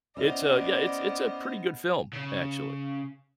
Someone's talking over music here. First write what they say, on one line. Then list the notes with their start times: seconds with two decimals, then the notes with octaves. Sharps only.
it's a yeah, it's it's a pretty good film, actually,
0.17 B3 C#4 E4 C5 D5 D#5 F6
2.13 C#3